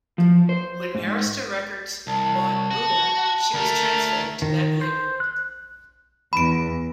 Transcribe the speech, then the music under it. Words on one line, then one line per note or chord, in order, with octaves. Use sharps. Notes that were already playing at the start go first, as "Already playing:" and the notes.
When Arista Records bought Buddha, she was transferred to that label.
F3
C5
G#2
C2 A5
F#4
D2 A3 A#4
D#3
C5
F#6
E2 B5 D7